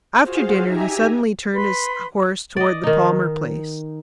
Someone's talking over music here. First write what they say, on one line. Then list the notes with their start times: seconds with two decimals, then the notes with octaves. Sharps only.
After dinner he suddenly turned his horse towards the Palmer place.
0.19 F4 F#4 G#4 C5 F5
0.62 D#4 G4 E5 G#5 A#5
1.53 B4 B5 C6
2.57 D5 D#5
2.83 D#3 D#4